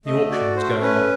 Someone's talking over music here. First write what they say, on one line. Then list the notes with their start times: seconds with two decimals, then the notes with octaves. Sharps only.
The auction was going on.
0.06 A3 D#5
0.30 F#4 D5
0.56 A3 C5
0.81 C#4 B4